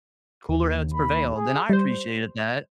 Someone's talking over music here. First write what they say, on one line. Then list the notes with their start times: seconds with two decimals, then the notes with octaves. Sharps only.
cooler heads prevailed, and I appreciated that,
0.49 D#2
0.94 B5
1.34 G#4
1.69 G3 C5